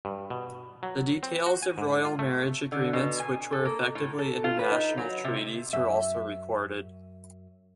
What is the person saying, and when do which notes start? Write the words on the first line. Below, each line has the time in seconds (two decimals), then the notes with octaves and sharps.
The details of royal marriage agreements, which were effectively international treaties, were also recorded.
0.05 G2
0.30 B2
0.83 F#3
1.23 C4
1.46 F#4
1.63 G#5
1.78 G#2
2.05 F4
2.19 A3
2.72 D3
2.93 B2
3.19 G#5
3.52 A4
3.65 A#3
3.95 A2
4.19 A4
4.44 F4
4.59 B4
4.72 D#4
4.97 F#3
5.24 C3
5.73 F#2 E5